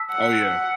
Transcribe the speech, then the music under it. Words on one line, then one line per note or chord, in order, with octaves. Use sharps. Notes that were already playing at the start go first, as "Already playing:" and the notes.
Oh yeah.
Already playing: A5 E6 B6
F#5